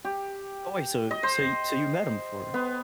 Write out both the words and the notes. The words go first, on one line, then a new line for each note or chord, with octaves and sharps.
Oh, wait, so so y so you met him before?
G4
D#5
C5
B3